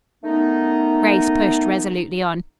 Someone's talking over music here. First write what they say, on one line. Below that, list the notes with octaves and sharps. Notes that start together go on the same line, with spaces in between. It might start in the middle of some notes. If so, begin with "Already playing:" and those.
Grace pushed resolutely on.
D#3 A3 B3 C#4 D#4